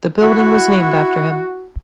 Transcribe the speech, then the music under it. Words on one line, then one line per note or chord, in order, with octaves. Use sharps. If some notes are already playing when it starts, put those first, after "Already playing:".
The building was named after him.
E4 F#4